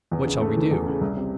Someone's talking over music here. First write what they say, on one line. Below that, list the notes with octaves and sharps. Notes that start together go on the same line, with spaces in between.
"What shall we do?"
E2
C#3
A3
E3
E2
C#3
C2
C3